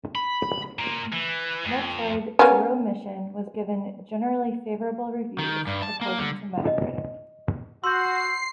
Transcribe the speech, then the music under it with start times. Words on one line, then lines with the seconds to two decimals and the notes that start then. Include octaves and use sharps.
"Metroid: Zero Mission" was given "generally favorable reviews", according to Metacritic.
0.15 B5
0.79 A#2
1.13 E3
1.65 F2
2.39 A#3 B3 C#4
5.39 D#3
5.67 G2
5.82 A5
6.01 A#3
6.18 D3
6.67 D#5
7.84 F#4 C6 E6 G6 C7